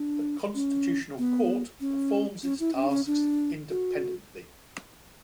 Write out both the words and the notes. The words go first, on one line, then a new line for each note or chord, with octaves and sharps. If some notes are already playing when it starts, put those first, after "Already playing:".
The Constitutional Court performs its tasks independently.
Already playing: D4
C#4
B3
C#4
C#4
E4
C#4
D4
C#4
D4
F#4